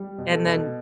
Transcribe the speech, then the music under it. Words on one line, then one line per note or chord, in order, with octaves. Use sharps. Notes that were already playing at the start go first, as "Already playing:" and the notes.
and then
Already playing: G3
B2
A4
B2